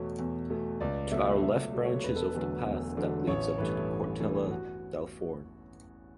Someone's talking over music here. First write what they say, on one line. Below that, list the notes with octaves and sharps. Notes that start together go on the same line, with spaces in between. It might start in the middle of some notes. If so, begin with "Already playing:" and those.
To our left branches off the path that leads up to the Portella del Forn.
Already playing: E2 B2 A3 C#5
E2
B2 A3
C#2 D5
B2 F#3 A3 E5
C#2 E5
B2 F#3 A3
C#5
E1 B4
A4
B4
E2 D3 F#3 A3
E1
E2 D3 F#3 A3
A1 C#5
G2 E3 A3 B4
A1
G2 E3 A3
F#4